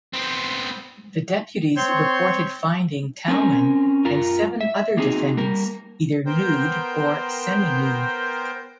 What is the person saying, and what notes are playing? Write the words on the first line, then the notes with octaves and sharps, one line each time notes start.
The deputies reported finding Talman and seven other defendants either nude or seminude.
B3 C4
C4 C#5 C6 C#6 G6
C4 C#4 A#4 G#5
F#2 F4 A#4 A#5
E5
A#3 C4 D#4 F#4 G#4
G3 A#3 A#4
B3 A#4 C5 G5 G6